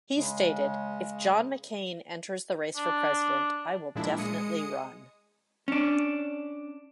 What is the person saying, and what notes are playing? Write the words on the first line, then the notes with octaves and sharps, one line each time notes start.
He stated If John McCain enters the race for president I will definitely run.
C#3 G#3
D4
A#2 F3 G#3 D4 E4
G#3 D#6 C#7
C#4 D4